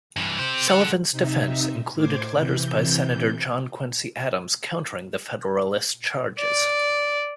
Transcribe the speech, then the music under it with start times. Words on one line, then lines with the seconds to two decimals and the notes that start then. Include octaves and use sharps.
Sullivan's defense included letters by Senator John Quincy Adams countering the Federalist charges.
0.17 G2 E3
0.39 G4 C5
0.68 A4 F#5
1.11 C3 D#4 E5
1.94 A2 C5 D6 G#6
2.33 C3 E3 G6
6.39 D5